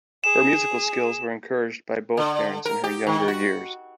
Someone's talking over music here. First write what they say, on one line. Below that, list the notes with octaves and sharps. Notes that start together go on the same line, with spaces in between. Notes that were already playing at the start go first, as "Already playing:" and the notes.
Her musical skills were encouraged by both parents in her younger years.
G#4 E7
D3
A#4
G4
D#3
F#4